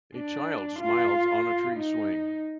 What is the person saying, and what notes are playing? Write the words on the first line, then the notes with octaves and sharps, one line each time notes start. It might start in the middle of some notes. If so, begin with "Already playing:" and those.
A child smiles on a tree swing.
D4
F4
D#4